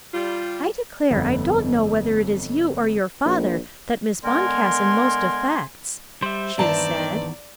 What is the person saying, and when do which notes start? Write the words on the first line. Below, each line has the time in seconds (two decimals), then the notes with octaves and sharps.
"I declare I don't know whether it is you or your father that Miss Boncassen most affects," she said.
0.14 G3 F4
1.11 G1 F2 B3
3.25 A#1
4.24 D3 G#3 B3 A#4 G#5 C6
6.22 G3 C5 E5
6.58 E2 G2 D#3 D5 A5 A#5